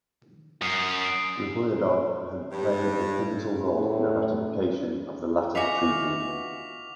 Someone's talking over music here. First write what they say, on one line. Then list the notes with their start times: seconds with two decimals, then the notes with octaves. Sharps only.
Griboyedov had played a pivotal role in the ratification of the latter treaty.
0.62 F#2 D#6 C7
1.05 D7
2.51 G2
3.74 A2
5.55 E3 F4 F#4 D#5 G#5 D6 B6 F7